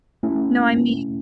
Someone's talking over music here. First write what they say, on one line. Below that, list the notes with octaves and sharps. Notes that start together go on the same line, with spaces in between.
No, I mean
A3 C#4 E4